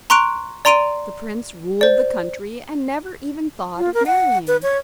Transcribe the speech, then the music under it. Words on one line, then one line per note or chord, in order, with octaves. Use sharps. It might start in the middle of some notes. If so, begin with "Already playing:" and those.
The prince ruled the country and never even thought of marrying.
A#5 C6 C#6 F#6 D7 F7
D5 A#5 C6 D7 D#7 F7
C5 D5
F4
A#4
F#5
B4
C#5